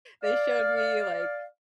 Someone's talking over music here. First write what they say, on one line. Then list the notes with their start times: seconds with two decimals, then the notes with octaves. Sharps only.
they showed me, like,
0.23 D5 F5